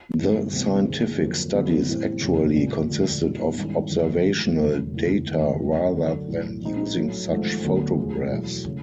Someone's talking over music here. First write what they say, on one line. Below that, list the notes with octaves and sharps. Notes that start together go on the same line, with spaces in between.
The scientific studies actually consisted of observational data rather than using such photographs.
G1 G2 E3 G#3 C4
D2 C3 E3 G3 B3
G#2 D#3 G#3
F2 D3 F#3 A#3
F2 D3 F#3 B3 D4
A2 E3 G3 C4
F1 F2 C#3
A#1 A#2 G3
E1 D2 D3 F3
A#2 G3 B3 D#4
G2 D#3 G#3 C#4 E4
F#2 D3 F3
G#1 G#2 F3 A3
E1 D#2 C#3 F#3 A3
F1 D#2 C#3 E3
F1 D#2 D#3
D#2 D#3 F#3
F#2 D3 F#3
B1 A2 E3
A#2 F3 G#3 C4 D#4
A2 F#3 A3
G#1 G#2 F3 A3
D2 D3 F#3 B3
E1 D2 D3 F3 G#3
E2 B2 F#3 A3
C#3 E3 A3